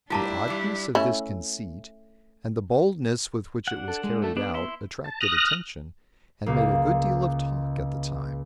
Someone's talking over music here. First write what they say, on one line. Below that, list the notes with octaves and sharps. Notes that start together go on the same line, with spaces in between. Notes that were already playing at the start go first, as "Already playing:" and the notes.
The oddness of this conceit, and the boldness with which it was carried out, attracted attention, and made a good deal of talk at the time.
A2 G3 A#3 D4 E4 F4 A5 A#5
G2 G3
A3 C#4 E4
D4 F#5
A4
G#3
A3 A4
B3 D4
E4 E5 C6
A5
D#6 F6 F#6 A#6
C#2 A#3